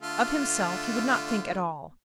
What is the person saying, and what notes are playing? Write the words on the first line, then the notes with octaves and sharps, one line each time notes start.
Of himself he would not think at all.
D3 A3 F4